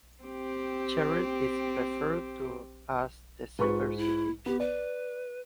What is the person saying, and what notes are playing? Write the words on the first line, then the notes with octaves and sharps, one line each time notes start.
Sherrill is referred to as "The Silver City".
C4 G4
G#2 F4 B4 C#6
E4
B3 G4
B4 D5